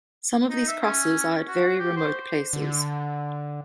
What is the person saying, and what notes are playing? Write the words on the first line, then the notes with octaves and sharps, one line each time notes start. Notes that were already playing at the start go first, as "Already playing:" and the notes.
Some of these crosses are at very remote places.
D#4
E5
C#4
F#4
G4
C5
D3